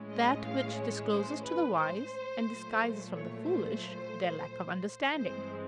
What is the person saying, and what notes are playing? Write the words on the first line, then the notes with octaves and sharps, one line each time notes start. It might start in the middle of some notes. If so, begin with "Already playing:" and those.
That which discloses to the wise and disguises from the foolish their lack of understanding.
Already playing: A2 E3 G#3 C#4
D#5
F5
C#5
C5
B4
C5
A#2 F#3 A3
C#5
C5
G2 E3 G#3 C4 C5